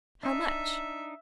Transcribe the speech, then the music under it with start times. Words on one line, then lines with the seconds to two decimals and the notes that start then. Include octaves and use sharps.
"How much?"
0.23 D4 D#4 E5